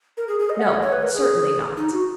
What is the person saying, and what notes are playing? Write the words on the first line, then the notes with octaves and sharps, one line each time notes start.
No; certainly not.
A#4
G#4
G#4
D#5
F#5
D#5
C#5
B4
A#4
G#4
D#4
F#4